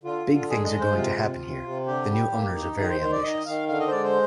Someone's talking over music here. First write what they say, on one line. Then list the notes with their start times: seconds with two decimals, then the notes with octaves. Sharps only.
Big things are going to happen here - the new owners are very ambitious.
0.04 D3 F4
0.26 D3
0.50 G#3 G#4
0.65 D#5
0.73 G#3
0.80 C5
0.96 C3 F4
1.18 C3
1.41 C3
1.63 C3
1.86 D3 G4
2.10 G3
2.32 A#3
2.55 D#4
2.77 D#3 G#4
2.89 C5
3.00 D#3 C5
3.12 D5
3.23 D#3 D#5
3.46 D#3 F5
3.68 D3 F5
3.80 D#5
3.88 C5
3.92 G#3 D5
4.04 C5